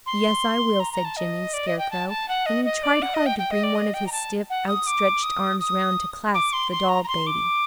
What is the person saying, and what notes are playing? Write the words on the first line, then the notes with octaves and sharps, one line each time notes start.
"Yes, I will," said Jimmy Scarecrow, and he tried hard to bring one of his stiff, outstretched arms around to clasp the doll-baby.
C6
A#5
A#5
A5
D#5
D5
D#5
G5
A5
A5
F#5
D#5
D#5
D5
F#5
D#5
G5
G5
D#5
D5
D#5
G5
A#5
A5
F#5
D#6
D6
D#6
D#6
D6
C6
C6
A#5
A#5
C6
D6